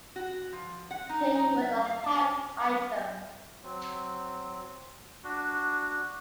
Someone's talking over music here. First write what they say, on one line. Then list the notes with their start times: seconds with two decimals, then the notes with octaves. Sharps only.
King was a hot item.
0.16 F#4
0.53 F3
0.91 F#5
1.09 D#4
1.35 D#4
1.61 E5
1.85 F5
2.04 A5
3.64 F#3 C4
5.24 D4 F#4